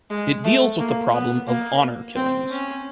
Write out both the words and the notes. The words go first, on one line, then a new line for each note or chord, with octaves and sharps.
It deals with the problem of honour killings.
G#3
A3
A#3
B3
A#3
C4
C#4